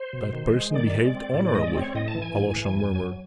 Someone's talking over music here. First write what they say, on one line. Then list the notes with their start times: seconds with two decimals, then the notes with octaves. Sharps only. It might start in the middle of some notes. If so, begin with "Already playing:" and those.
"That person behaved honorably," Alyosha murmured.
Already playing: C5
0.13 B2
0.33 D#3
0.53 G#3
0.74 D#3 D5
0.94 G#3
1.15 C4
1.34 A2
1.45 D5
1.54 G#3 D#5
1.67 D5
1.74 C4
1.81 C#5
1.95 A2 D#5
2.08 A5
2.15 E3
2.22 G#5
2.35 A2
2.56 E3
2.75 F2
2.96 F#3